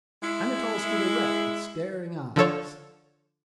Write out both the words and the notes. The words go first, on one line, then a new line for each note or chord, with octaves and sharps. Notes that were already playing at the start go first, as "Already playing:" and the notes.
Anatole stood erect with staring eyes.
G#3 E4
D3 F3 A4 C#5